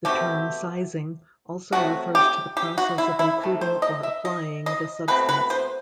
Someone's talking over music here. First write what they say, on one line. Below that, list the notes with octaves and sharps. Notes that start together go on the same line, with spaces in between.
The term "sizing" also refers to the process of including or applying the substance.
B2 A3 C4 G4
C3 F#3 A3 C4 F#4
G4
G4
F#4
E4
E4
C3 D#3 A3
C5
D#5
E5
D#5
D#5
B2 A3 C4 B4
B4
C5